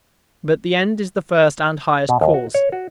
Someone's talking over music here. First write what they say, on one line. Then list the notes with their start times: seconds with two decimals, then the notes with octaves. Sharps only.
But the end is the first and highest cause.
2.09 B2
2.21 D#2
2.34 F#4
2.54 C#5
2.72 F#4